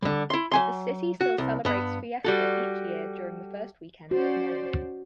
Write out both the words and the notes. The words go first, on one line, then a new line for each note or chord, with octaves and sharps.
The city still celebrates Fiesta each year during the first weekend of May.
D3 G3
E4 C6
F#3 G#5 C6
F#4
C2
G2 B3
G3 F#4 A4
C#4 F#4 C5 D5